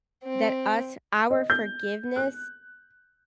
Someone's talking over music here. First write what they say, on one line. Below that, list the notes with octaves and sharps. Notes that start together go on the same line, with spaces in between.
that us our forgiveness
C4
D#5
G6
F#6